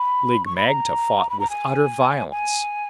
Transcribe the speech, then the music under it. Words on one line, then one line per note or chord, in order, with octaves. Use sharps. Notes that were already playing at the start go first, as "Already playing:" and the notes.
Lig-magte fought with utter violence.
Already playing: B5
C#6
B5
A#5
B5
A#5
G#5
G#5